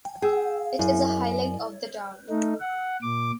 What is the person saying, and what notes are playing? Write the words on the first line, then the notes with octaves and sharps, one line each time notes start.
It is a highlight of the town.
G#4 G5 E6
F#2 E4
A3 D#4
F#5
A#2 D6